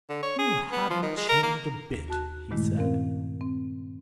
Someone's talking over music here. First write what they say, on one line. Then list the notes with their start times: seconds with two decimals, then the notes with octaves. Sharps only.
"You haven't changed a bit," he said.
0.09 D3
0.22 C#5
0.38 G#4
0.72 B3
0.90 F3
1.02 D#3
1.17 G#3
1.29 A#4
1.43 A#3
1.90 D#2
2.08 F#4 A5 F#6
2.51 G2 A#2 D#3 G#3 A3 E4
2.77 C4 C#4 A#4 F5
3.41 C4